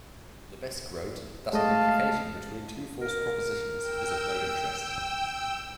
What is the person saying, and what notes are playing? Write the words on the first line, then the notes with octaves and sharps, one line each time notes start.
Lebesgue wrote that an implication between two false propositions is of no interest.
G#3 A3 D#5 F5 A5
A#4
G5 E6